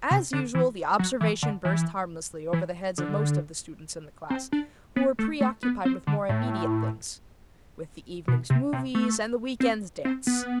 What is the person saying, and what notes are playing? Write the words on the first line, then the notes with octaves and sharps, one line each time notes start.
As usual, the observation burst harmlessly over the heads of most of the students in the class, who were preoccupied with more immediate things--with the evening's movies and the week-end's dance.
C3
D3
E3
F#3
E3
D3
E3
E3
D3
C4
D4
B3
A3
A3
B3
C4
D3
A2
B2
C3
C3
A3
C4
C4
B3